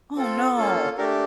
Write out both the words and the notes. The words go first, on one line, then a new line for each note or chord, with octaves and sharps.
Oh, no.
C4 F4 A4
A#3 C#4 F4 A4
A3 D4 G4 A#4